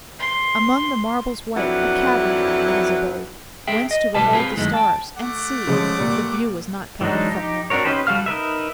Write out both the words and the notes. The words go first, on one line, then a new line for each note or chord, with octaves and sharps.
Among the marbles white a cavern had For his abode; whence to behold the stars And sea, the view was not cut off from him.
C6
F2 F#3 D4 E4 B4 F#5
G#4 E5 G5
D#5
B1 A2 F3 G3 B4 A5
C4 F4 G#4 B4
F#2 D#3 G#3 A3 E4
G5 A5
A3 F#5 D6
C#3 F3 G#3
A#2 G3
E3 F#3 G#3 D4 D#4
D#4 G4
C4 D4 F#4 A#4 C#5
C#4 D#4 G4 B4 C5
G3 F#4 A4 F5 F6
D#4 A#4 B4 E5